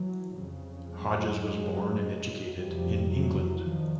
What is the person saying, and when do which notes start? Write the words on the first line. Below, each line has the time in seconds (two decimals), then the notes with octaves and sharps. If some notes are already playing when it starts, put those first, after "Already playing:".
Hodges was born and educated in England.
Already playing: E3 F#3
0.34 F2 C#3
0.90 F#3 G#3
1.45 F#2 C#3
2.55 F2 C3 F3 G3
3.10 E3 F#3
3.65 E2 D#3 F3